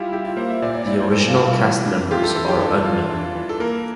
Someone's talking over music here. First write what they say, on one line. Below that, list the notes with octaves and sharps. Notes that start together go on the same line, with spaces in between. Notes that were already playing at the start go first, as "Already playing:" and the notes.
The original cast members are unknown.
Already playing: G3 E4 F4 G4
E4 G4
F4
A#3 C5
E5
A#2 D5
D5
E4 D5
C5
G3 A4
F4
G3
F4
E3
D4
F4 G4
A4
E3 A4
G4
D4 A4
F4
D4
E3
A4
A#3 A#4